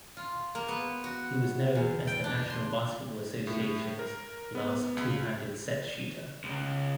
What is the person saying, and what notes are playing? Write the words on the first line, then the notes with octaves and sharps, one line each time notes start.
He was known as the National Basketball Association's last two-handed set shooter.
F4
A#3
B3
F#4
E2
G5
D4
C6
A2
A#4
B3
C#2
C#2